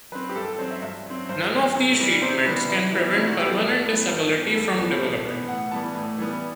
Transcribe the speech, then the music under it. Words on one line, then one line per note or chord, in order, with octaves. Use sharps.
None of these treatments can prevent permanent disability from developing.
F#3 C4 B4
G4
G2 A4
A4
F#3 C4 C5
E5
G2 E5
F#3 C4
G2 C5
F#3 C4
C3
E3 G3 B3
C3 C5
E3 G3 B3 B4
C3 E4
E3 G3 B3 E4
C3 E4
F#4
E3 G3 B3 G4
A4
G2
E3 B3
G2
E3 B3
G2 A4
E3 B3
G2
E3 B3
A2 F#5
E3 G3 B3 A5
A2
E3 G3 B3